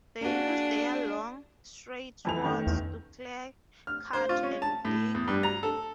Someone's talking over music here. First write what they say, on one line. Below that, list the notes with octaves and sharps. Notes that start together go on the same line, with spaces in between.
They use their long, straight swords to clear, cut, and dig with.
A#3 D4 F#4 G#4
F2 E3 F7
D#3 A3 C#4
E2
F6
C5
F4
C#4
A5
A2
E2
G2
A#5
A4